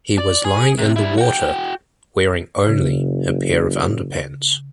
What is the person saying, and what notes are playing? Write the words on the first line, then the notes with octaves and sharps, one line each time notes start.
He was lying in water, wearing only a pair of underpants.
D5
G#4
C3
G3 E4
F#4 G5
F#1 C#3